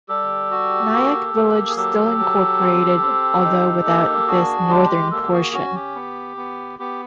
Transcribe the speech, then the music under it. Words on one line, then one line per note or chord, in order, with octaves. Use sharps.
Nyack village still incorporated, although without this northern portion.
G3 G4 A4
F#4
A#3
A#3
G#4
F#3 G4 A4
F#3
C4
C4
D#4
A#3
D4 F#4 G#4
G#3 G4
A#3 G4 A4
G4
F#4 G#4
C#4 F#4
G4
B3
B3
B3 G4